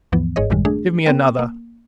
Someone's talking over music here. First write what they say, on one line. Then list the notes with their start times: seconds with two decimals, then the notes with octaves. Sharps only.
"Give me another!"
0.12 D2 G2 E3 F3 B3
0.36 G1 G#2 G#4 C#5 D#5
0.50 A1 F#2 A2 D#3 G3 G#3
0.65 A3 D4 G#4
1.06 B3 C4 A#4 G5
1.39 A#3